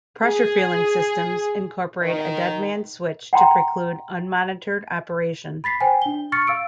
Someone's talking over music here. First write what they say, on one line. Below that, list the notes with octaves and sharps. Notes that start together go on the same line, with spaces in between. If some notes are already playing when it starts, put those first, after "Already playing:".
Pressure fueling systems incorporate a dead man's switch to preclude unmonitored operation.
G#4
D#3
F#5 G5 A#5 C6
B5 A6 B6 C7
C5 G5 G#5
D4 G7
C#6 F6 A6 C#7
F5 E6 D7